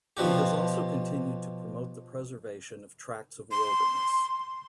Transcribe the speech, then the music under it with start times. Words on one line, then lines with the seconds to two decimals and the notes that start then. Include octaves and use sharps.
He has also continued to promote the preservation of tracts of wilderness.
0.17 B2 F3 D4 F#4 G4
3.51 C6